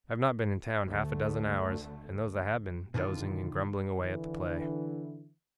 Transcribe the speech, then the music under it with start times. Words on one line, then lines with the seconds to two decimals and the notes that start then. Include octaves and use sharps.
I have not been in town half-a-dozen hours, and those I have been dozing and grumbling away at the play.'
0.86 D2 D3 A3
2.94 B2 D3 D#3 F4
4.00 D3 E3